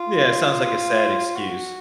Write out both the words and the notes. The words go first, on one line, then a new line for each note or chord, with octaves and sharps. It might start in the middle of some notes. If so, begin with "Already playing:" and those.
Yeah, it sounds like a sad excuse.
Already playing: F4
F#4